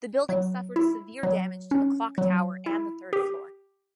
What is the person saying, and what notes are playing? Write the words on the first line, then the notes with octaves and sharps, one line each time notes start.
The building suffered severe damage to the clock tower and the third floor.
F#3
E4
F#3
C#4
F#3
E4
G4